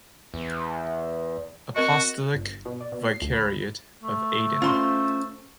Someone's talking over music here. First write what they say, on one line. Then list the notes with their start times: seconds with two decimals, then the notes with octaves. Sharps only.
Apostolic Vicariate of Aden.
0.34 E2
1.76 C4 F#4 A#4 D#5
2.35 G1
2.65 B2
2.81 D5
2.92 B2
3.05 C7
3.22 D2
3.33 B5
4.03 A3
4.62 C#4 F4 C5 C6